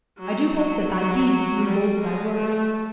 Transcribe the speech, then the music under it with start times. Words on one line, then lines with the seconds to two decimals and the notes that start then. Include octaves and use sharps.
"I do hope that thy deeds be as bold as thy words."
0.18 F#3
0.55 F#3
0.91 F#3
1.63 G3
1.99 G#3
2.35 A3